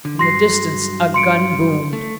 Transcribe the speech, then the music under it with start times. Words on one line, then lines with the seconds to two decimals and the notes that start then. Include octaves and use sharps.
In the distance a gun boomed.
0.05 D3
0.19 G2 F#3 C6 A#6 C7
1.14 C6 C#7 D7
1.93 A3